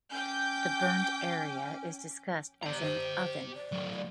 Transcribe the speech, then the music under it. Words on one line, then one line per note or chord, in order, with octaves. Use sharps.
The burnt area is discussed as an "oven".
C#4 G5 D6 G6
G4 D5 A#5
C5
D5
F#3 A3